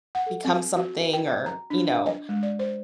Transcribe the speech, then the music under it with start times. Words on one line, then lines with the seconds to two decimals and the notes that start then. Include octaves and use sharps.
become something or, you know.
0.15 F#5
0.26 A4
0.45 C4
0.76 F#4
1.13 G5
1.46 A#5
1.70 D4
2.06 D#5
2.29 G#3
2.43 D5
2.59 C5